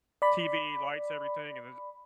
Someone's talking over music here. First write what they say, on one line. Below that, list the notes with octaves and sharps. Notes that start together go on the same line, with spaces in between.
TV, lights, everything, and then ju
D5 B5